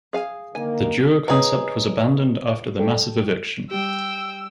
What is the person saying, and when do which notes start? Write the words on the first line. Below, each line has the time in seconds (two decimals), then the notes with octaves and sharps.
The duo concept was abandoned after the massive eviction.
0.13 G#4 F5 G#5
0.55 D3 D#3 A#3 G#5
1.28 D#4 G#4 B4 C#5 D#6
2.79 A4 G5
3.71 G3 G4 G5 E6